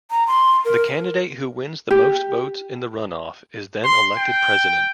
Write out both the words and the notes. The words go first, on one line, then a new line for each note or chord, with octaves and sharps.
The candidate who wins the most votes in the runoff is then elected President.
A#5
C6
A#4
G4
C6
G5